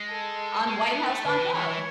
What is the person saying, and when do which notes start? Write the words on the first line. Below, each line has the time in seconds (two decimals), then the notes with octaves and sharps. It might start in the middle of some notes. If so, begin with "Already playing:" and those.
On whitehouse.gov.
Already playing: G#3
0.09 A4
0.67 G#3
0.86 B3
1.05 A3
1.25 D3 B4
1.39 E3
1.53 E3 C#5
1.68 E3